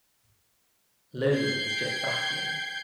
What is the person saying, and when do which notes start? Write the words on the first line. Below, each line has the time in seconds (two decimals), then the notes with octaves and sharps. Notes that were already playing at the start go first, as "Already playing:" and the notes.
Logan is just baffling.
1.31 G5 G6 G#6 C7